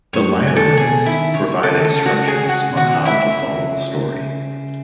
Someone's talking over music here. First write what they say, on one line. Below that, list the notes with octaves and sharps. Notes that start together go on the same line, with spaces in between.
The liner notes provide instructions on how to follow the story.
F#2 F#3 C#5 C#6
F#2 F#3
G#5
E3 A4 A5
B2 B3 G#4 G#5
D#3 D#4 E4 E5
D#4
C#3 C#4 C#5
C#3 C#4 A4 A5
A4 A5
C#3 C#4 F#4 F#5
G#4 G#5
C#3 C#4 F#4 F#5
B2 B3
F#4 F#5
D#3 D#4
E4 E5
C#3 C#4
C#3 C#4